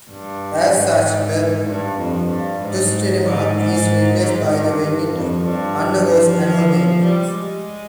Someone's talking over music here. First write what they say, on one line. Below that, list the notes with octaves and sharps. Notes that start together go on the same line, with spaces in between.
As such, the "Tustumena" is replaced by the when it undergoes annual maintenance.
G2
G#2
G2
F2
G2
G#2
G#2
G#2
G#2
G2
F2
G2
F3
G3
G#3